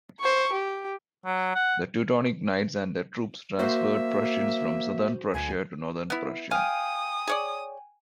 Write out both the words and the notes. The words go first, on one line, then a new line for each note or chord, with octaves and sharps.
The Teutonic Knights and their troops transferred Prussians from southern Prussia to northern Prussia.
C5 C#6
G4
F#3
F#5
A#3 F#4 C5 E5
D2 G#5
B3 E4
F5 G5 G#5 D#6
G#4 C#5 D5